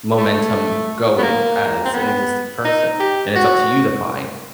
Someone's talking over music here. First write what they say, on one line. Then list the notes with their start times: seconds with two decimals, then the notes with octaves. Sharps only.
momentum going as an existing person, and it's up to you to find
0.18 A3
1.18 B3
1.23 A#3
1.85 C4
1.93 B3
2.64 D#4
3.00 G4
3.36 F#4